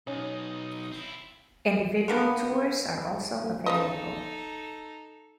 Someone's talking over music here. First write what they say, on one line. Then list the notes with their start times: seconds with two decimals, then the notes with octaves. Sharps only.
Individual tours are also available.
0.07 B1 C#4 D#4
0.92 C4 E4
2.08 D3 A#3 B3
3.66 C#3 D#4 A4 B4 D#5